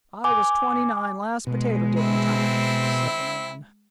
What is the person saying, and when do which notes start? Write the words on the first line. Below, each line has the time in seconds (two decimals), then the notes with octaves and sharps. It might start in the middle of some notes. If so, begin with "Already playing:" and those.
"I was twenty-nine last potato-digging time," said the man.
0.24 G#5 D6
1.47 B2 G#3
1.97 C4 E4